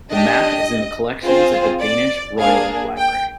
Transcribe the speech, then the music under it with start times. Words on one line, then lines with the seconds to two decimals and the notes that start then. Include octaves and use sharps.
The map is in the collections of the Danish Royal Library.
0.10 D4 G4 D#5
1.24 C4 F4 G#4 C5
1.82 D5
2.39 A#3 D4 G#4 F5
2.97 G5